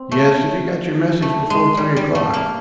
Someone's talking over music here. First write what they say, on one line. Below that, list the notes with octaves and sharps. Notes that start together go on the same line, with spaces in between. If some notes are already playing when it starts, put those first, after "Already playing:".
"Yes, if he got your message before three o'clock."
Already playing: C4
A3
A3
G#3
G3
G3
A3
A#3